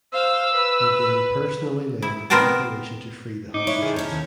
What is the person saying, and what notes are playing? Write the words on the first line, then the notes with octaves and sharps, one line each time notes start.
He then personally led the operation to free the hostages.
C5 F5 E6
B4
E4
B3 C4 A#4 C5 G5 A5
D#4 D6
D4 E4 C#5
D#3 A3 G#4 A5
C3 C#4 E4 C#5
D#2